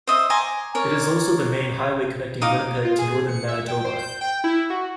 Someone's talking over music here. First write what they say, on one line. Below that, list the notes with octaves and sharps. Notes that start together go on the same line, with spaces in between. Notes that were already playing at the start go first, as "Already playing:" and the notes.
It is also the main highway connecting Winnipeg to northern Manitoba.
C5 D#5 E5
G#5 A#5 C6 D6
A#4 C#5 D5
D#4 F5 D6
F4
G#4
C#7
E5
G5
C5
G6
G5
E4
F#4